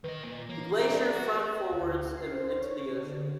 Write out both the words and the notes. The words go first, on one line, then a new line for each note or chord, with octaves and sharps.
The glacier front forwards and into the ocean.
D#3 B4 D#5
A#2
E3 A#3
B3 D4 E5 A#5
D5
F#4
D2
C7
C5
C#5
D3